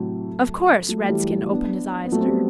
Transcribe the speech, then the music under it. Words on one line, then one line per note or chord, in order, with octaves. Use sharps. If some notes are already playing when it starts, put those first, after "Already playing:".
'Of course!' Redskin opened his eyes at her.
Already playing: A2 C3 F#3 A3
F#3 A3
A3
E3 G3
F#3 A3
B3 D4
B3
F#3 A3
C4
G3 B3